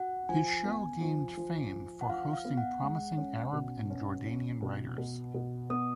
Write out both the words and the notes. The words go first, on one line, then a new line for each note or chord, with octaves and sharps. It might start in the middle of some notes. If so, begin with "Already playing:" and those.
His show gained fame for hosting promising Arab and Jordanian writers.
Already playing: F#4 F#5
F3 G#5
B3
F3
F3
F3
F#5
F3 F5
F5
B3
F#5
G#3
C#4
B2
C#4
C#4
B2
B2
B2
B3 D#6